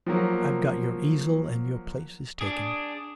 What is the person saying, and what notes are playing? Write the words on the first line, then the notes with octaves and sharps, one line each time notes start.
I've got your easel, and your place is taken.'
F3 F#3 A#3
D4 G#4